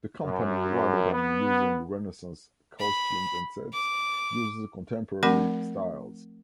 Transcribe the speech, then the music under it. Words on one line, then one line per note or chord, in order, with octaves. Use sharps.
The company, rather than using Renaissance costumes and sets, uses contemporary styles.
F#2
B3
B5
D6
F3 A3 C4 A#4 F#5 B5